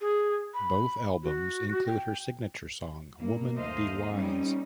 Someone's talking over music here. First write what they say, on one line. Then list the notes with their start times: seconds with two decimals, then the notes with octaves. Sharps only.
Both albums include her signature song, "Women Be Wise".
0.01 G#4
0.54 B5
1.23 F#4
1.86 G5
3.19 G2 A#3
3.54 D#2 A3 C5 D#5 F5
4.13 G3 A#3 C4 C#4 D#4